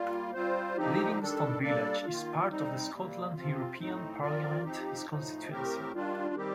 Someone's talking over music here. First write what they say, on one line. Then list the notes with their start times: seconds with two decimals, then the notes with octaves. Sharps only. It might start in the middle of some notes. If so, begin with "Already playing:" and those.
Livingston Village is part of the Scotland European Parliament constituency.
Already playing: G3 A#3 F4
0.34 G3 C4 F4 C5
0.77 D3 F3 C4 D#4 G4
1.19 D#3 G3 D4 A4
1.62 G3 A#3 D4 A4 D5
2.05 D#3 A#3 F4
2.49 G3 C4 D#4
2.92 C3 G3 A#3
3.34 C3 F3 C4 F4
3.78 A2 A3 C4 D#4
4.21 F3 C4 F4 A#4 D5
4.63 F3 C4 D#4 G4
5.06 A2 F3 A3 D#4
5.49 A2 A3 C4 G4 A#4
5.92 D#3 G3 D4 F4
6.35 D#3 G3 C4 G4